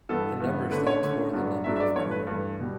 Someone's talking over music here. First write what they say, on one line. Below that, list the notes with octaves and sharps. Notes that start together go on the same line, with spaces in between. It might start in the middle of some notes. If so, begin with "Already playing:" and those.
The number stands for the number of crew.
G2 E3 B3 A4
G2 E3 B3
D3 A3 C#4 B4
C#5
D3 A3 C#4
G2 F#3 B3 D4
G2 F#3 B3 D4 E5
E5
D5
G2 E3 A3 C#5
B4
G2 E3 A3
B2 G3